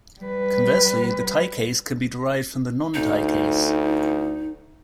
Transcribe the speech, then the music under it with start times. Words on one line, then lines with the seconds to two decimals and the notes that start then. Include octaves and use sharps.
Conversely, the tie case can be derived from the non-tie case.
0.21 G3 B4
2.94 D2 D#4